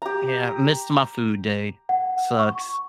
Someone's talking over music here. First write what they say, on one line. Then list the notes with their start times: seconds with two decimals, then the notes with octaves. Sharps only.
yeah, missed my food day. Sucks.
0.02 G4 A#5
1.89 F#5
2.39 C#6